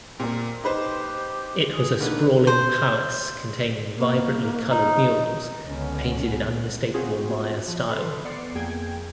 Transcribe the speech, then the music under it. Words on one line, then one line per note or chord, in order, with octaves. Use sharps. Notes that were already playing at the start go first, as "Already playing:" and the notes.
It was a sprawling palace containing vibrantly colored murals painted in unmistakable Maya style.
A#2 C4 A#4
D#4 G4 B4 C5
G#4
D3 D#3 A#3 B4
C5
A#3
D#4
C#2 D3 B3 C#4
B3 C4 F4 F#4 G#4 C5
F3
A4 B5 C6
B3 D5 C7 C#7
F2 A#3 G#4 G5 G#6